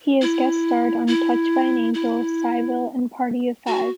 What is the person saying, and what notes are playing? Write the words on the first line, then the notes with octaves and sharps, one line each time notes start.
He has guest starred on "Touched by an Angel", "Cybill" and "Party of Five".
E4
E4
E4
F#4